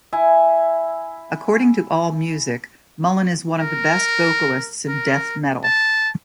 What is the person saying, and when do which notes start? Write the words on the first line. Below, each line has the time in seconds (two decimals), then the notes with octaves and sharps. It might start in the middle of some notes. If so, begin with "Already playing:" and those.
According to AllMusic, Mullen is one of the best vocalists in death metal.
0.12 E4 G#5
3.59 A#4
4.88 A#4
5.64 A5